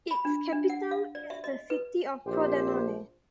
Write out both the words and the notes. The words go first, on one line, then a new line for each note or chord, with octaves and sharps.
Its capital is the city of Pordenone.
B5
D4
D4
F#5
F5
D5
E5
D#5
B4
A#1 G4 C5